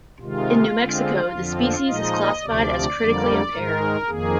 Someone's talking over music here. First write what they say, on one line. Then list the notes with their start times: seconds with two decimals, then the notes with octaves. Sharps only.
In New Mexico, the species is classified as "critically impaired".
0.21 C3 D#3 G#3 F4
0.76 D3 G#3 C4
1.31 F2 D3 F3 C4
1.87 A#2 F3 G#3 D#4 D#5
2.42 D2 C3 F3 D5
2.97 F2 D3 G3 A#3
3.52 G#2 D#3 G#3 A#4
4.08 F2 D#3 A#3 G#4